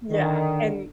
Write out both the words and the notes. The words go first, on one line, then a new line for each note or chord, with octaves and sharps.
Yeah, and
D3 D#3